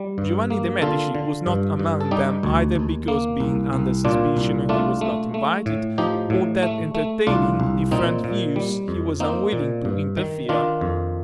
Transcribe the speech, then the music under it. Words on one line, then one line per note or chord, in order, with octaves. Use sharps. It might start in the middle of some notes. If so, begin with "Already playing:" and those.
Giovanni de' Medici was not among them either because being under suspicion he was not invited or that entertaining different views he was unwilling to interfere.
Already playing: G3
G2
A#3
D3 F4 A4
D3
G2
G2
A4
G3 D#4 G4
D2
D#2
A#3
C2
C2
A#2 D4 F4
C2
A3 D4 F4
A3
A3
A2
F3 D#4 G4
A2
A3
A3
C2 D4 F4
C2
A#2 C4 D#4
A#2
G3
F2
A#3 C4 D#4
A#2
G2
D#3
D#3 D4 F4
F2